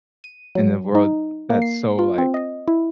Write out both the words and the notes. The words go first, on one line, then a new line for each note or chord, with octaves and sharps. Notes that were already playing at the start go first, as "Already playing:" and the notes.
In a world that's so, like
D#7
F#3
D#4
A#3
C7
F4
C4
D#5
E4